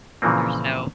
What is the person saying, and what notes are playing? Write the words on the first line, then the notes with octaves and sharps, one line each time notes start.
There's no
A#2 C#3 E3 F3 A#3 C4